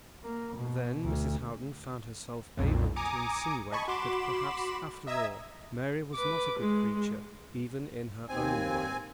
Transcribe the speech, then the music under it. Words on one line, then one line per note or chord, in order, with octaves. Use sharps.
Then Mrs. Houghton found herself able to insinuate that perhaps, after all, Mary was not a good creature, even in her own way.
A#3
B2
D2
B1 F2 A#2
G#5 A#5 D6 D#6 C#7
D#5 G#5 A5 B5 C#6
F#4 B5 C6 D6 E7
D#5 E5 A#5 D#6 E6 G#6
B4 D6
G#3
D#2 C4 G#5